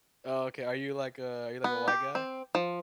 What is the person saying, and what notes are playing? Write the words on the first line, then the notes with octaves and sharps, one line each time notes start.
Oh, okay. Are you like a are you like a white guy?
B3
G4
C4
F3